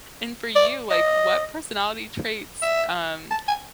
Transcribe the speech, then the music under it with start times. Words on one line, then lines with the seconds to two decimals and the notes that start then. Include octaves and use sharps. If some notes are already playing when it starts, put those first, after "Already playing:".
And for you, like what personality traits, um,
0.55 D5
0.91 D#5
2.62 E5
3.31 A5
3.48 G#5